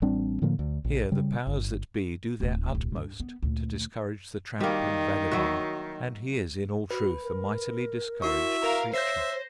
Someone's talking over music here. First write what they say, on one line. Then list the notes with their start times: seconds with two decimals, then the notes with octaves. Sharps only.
Here the powers that be do their utmost to discourage the tramp and vagabond, and he is, in all truth, a mightily discouraged creature.
0.02 A1 G3 C4 D4
0.42 A2 D3 F3 A#3
0.59 D2
0.84 A#1
1.12 C#3 G3
1.47 G1
2.40 D1 A2
2.75 D1 B1
2.96 G2 D4
3.20 B3
3.43 D2 A#2
4.60 D#3 G3 A#3
5.31 F#3 E4 F#4
6.91 F#4 B4
7.23 A#4
8.22 E4 F#4 E5 C#6
8.62 A#4 F5
8.94 C5 C#5 E5 G6 A#6 C7